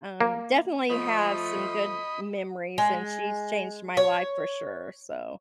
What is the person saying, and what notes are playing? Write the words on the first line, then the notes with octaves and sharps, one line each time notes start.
um, definitely have some good memories, and she's changed my life for sure. So
A#3
F3 A3 D#5 B5
G#3
C#5